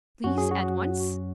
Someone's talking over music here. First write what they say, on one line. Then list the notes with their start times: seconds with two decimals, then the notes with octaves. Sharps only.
Please, at once?'
0.24 F#2 F#3 C#4 F#4
0.38 G#4
0.51 F#4